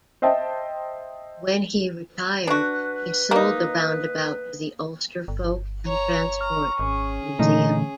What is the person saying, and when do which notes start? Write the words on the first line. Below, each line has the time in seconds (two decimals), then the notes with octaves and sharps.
When he retired he sold the roundabout to the Ulster Folk and Transport Museum.
0.22 C5 D#5 E5 G5 A5
2.47 D4 F#4 B4
3.31 A#3 D#4
5.28 G1
5.87 C#5 A#5
6.41 A#5 C#6 F6
6.79 G#1 C#4 G#4
7.39 A#2 D3 E3 A3 D#4